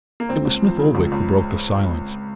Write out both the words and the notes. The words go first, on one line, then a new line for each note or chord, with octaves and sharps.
It was Smith-Oldwick who broke the silence.
A#3
C#2 C4
C#2
F3
C#3
C#2
C#2